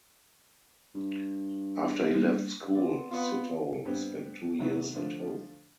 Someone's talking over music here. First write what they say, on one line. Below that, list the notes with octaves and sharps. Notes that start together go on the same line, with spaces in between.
After he left school Sithole spent two years at home.
G2
G3 A#3 D4
B3 C4 D5
B3 F4 D#5
G2 B3 C4 D4 G4
C3 D#3 F#3 A3 B3
D3 F3 A3